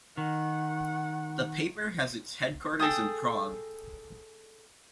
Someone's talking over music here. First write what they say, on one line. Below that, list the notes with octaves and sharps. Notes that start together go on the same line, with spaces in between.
The paper has its headquarters in Prague.
D#3 F#5
G#4 A4 G5 D#6